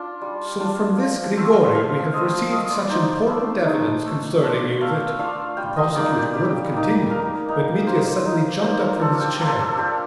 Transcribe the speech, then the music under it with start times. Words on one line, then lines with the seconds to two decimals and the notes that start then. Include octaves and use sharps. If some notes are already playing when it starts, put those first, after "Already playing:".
"So from this Grigory we have received such important evidence concerning you, that--" The prosecutor would have continued, but Mitya suddenly jumped up from his chair.
Already playing: D4 F4 D5
0.21 G3
0.60 D4 F4
0.98 F3
1.37 A3 C4 F4
1.74 F3 F5
2.13 A3 C4 F4 D#5
2.51 A3 D#5
2.71 D5
2.89 D#4 C5
3.08 D5
3.28 A3
3.65 D#4
4.05 A3
4.43 D4 F4
4.81 A3 F5
5.19 D4 F4 F5
5.57 G3 G5
5.76 D#5
5.95 A#3 D#4 D5
6.15 G4
6.33 G3 G4
6.72 A#3 D#4
7.10 A#3 A#4
7.48 D#4
7.87 A#3 C5
8.25 D#4
8.63 A#3 C5
8.82 A#4
9.01 D4 F4 A4
9.21 G4
9.39 A#3 A4
9.59 A4
9.78 D4 F4 G4